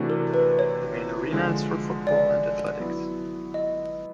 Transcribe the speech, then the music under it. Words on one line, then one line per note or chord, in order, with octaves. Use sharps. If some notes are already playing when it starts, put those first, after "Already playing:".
The main arena is for football and athletics.
Already playing: C3 E3 A3 D4 F#4
A#4
B4
C#5
D3 F3 G#3
D5
F#3 B3 E4
D#5